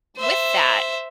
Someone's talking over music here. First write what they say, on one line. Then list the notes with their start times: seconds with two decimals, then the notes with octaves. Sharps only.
with that,
0.17 C5 E5